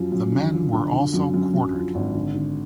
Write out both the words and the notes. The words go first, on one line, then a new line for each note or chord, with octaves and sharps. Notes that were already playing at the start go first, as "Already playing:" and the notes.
The men were also quartered.
Already playing: F#2 F3
F#2
D3
F3
D3
D3
F#2
F#2
F#2
F3
G#1
D3
D3